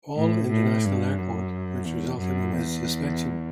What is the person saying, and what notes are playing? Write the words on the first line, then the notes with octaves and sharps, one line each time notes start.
Paul International Airport, which resulted in his suspension.
A2
A2
G2
F#2
E2
F#2
E2